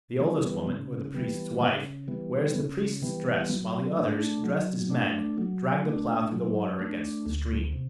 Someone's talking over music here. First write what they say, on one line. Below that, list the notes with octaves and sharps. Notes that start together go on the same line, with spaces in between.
The oldest woman, or the priest's wife, wears the priest's dress, while the others, dressed as men, drag the plough through the water against the stream.
E3 G3 B3
C#3
E3 G3 B3
C#3
E3 G3 B3
C#3
E3 G3 B3
F#3
A3 D4
F#3
A3 D4
F#3
A3 D4
F#3
A3 D4
D2
C3